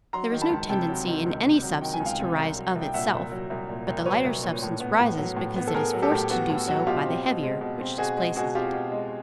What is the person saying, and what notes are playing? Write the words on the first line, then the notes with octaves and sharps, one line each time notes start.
There is no tendency in any substance to rise of itself, but the lighter substance rises because it is forced to do so by the heavier, which displaces it.
F#3 A#5 C6
D#3
A5 B5
C#2
C3 G5 A5
F#3
D#3
C#2
C3
F#3
D#3 G5
G#5
C#2
F5 G5
C3
C2
F#3
C2
G5
A#2 E5 F#5
C2
F#3
C2
A#2
C2
F#3 B4 C#5
C2
A#2
A2
B3
A2
F#3
A2
B3
A4
A2 G#4 A#4
F#3
G4 A4
A2
B3 F#4
A2
F#3 F#4
B2 F4 G4
C4
B2
G#3
B2
C4
B2 F#4 G#4
G#3
B2 F#4 G#4
C4 F4 G4
B2
G#3